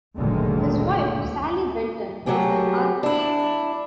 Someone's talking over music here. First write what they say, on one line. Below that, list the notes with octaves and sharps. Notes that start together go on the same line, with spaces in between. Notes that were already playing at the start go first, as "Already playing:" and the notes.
His wife, Sallie Benton, is an artist.
F#1 D2 A#2 D3 D#3 G#3
F#3 A3 G4 G#4
D4 E4